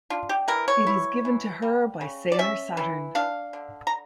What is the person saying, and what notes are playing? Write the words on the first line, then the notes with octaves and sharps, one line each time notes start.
It is given to her by Sailor Saturn.
D4 F4
G4
E3 A#4
C#5
E4
E3
G3
C#3
D5
C#4 E5
E3
D4 F5
D3
A#5